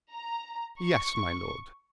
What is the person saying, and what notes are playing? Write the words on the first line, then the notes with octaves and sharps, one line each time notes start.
"Yes, my lord."
A#5
C#6